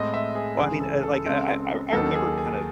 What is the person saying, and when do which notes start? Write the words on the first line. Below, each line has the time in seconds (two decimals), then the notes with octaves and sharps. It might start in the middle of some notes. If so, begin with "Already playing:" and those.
Well, I mean, uh, like, uh, I I I remember kinda
Already playing: A2 G#3 C4 D#5
0.14 E5
0.35 G#4
0.58 C#2 C#3 E3 G#3 G#4
0.80 A4
1.03 A4
1.26 C#2 C#3 G#3 C4
1.93 D#2 D#3 F#3 A4
2.15 G#4
2.38 G#4